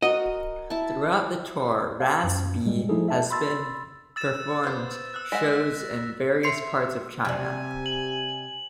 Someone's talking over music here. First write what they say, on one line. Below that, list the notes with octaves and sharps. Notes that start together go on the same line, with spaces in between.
Throughout the tour Raz B has been performed shows in various parts of China.
F#4 A#4 D#5
E4 A5
F5 A5
F#2
A2 G3 G#3
F3 A3 D#4 E4 G#4 A4
E5 A5
B5 C6 E6 A6
E6 A6 E7
B3 C5
E6 F#6
G#3 F#5 A#6 B6 E7
E5 C6 C7 C#7
C3 G3 G#5
F#7